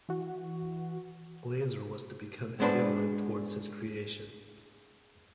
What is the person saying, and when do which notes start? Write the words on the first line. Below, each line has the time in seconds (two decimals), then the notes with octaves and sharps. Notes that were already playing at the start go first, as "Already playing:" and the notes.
Glazer was to become ambivalent towards his creation.
0.09 E3 F#4
2.60 G#3 B3 D4 B4 C5